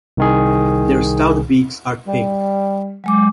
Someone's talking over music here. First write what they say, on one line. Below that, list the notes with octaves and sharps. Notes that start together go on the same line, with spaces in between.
Their stout beaks are pink.
C2 D#3 G#4
G3
F#3 G#3 D6